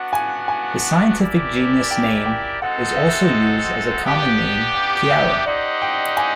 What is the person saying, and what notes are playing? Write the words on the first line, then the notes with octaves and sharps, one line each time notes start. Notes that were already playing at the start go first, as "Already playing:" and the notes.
The scientific genus name is also used as a common name Kerria.
Already playing: B3 D4 F#4 F#5
G#5
G#5
E4 G4 A#4 D5
G5
G5
G#3 C4 D#4 F#4 A4 F#5
E5
B3 D4 G4 F5
G5
E5
D#4 G4 C5 D5 D#5 F#5
G5
G#5